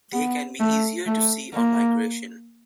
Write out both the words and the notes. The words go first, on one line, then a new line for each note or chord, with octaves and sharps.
They can be easier to see on migration.
B3
A3
A3
A#3